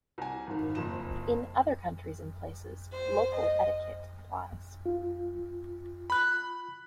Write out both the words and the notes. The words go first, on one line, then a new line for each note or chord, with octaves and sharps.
In other countries and places, local etiquette applies.
C2 G#5
G#1 D#3
F#1 F2 E7
C5
D#5
F4
B5 F#6